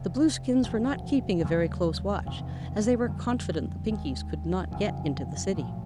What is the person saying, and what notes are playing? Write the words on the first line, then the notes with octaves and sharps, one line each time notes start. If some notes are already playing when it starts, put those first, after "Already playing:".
The Blueskins were not keeping a very close watch, as they were confident the Pinkies could not get into the City.
Already playing: F1 F2 C3
E1 D2 D3 F3
D#2 C#3 F#3 A3
F1 E2 C3 D#3
F2 D3 G3 A#3
D#2 D#3 G#3
F#1 F2 C#3 E3
B1 A2 F3 A3